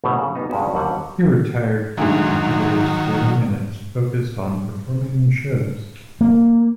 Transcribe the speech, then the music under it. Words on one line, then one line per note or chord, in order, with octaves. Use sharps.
He retired from competitive skating and has focused on performing in shows.
G1 B2 A3 C#5 E5 F#5
C#3 F#3
G3 A#3 B3 D#4
G2 C#3 G#3 C#4 F#4
D#2 D3 F#3 G3 F#5
D2 G#2 D#3 F#3
A#3